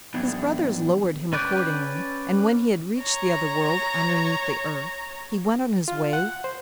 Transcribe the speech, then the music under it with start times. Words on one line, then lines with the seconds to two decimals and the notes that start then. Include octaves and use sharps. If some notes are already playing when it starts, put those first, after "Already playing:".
His brothers lowered him accordingly, and when he had reached the other world, underneath the earth, he went on his way.
0.14 F#2 A2 E3 B3 D4 D#4
1.33 C#4 B4 D5 G5
3.01 C#5 A#5
5.88 F4
6.13 F#5
6.44 C5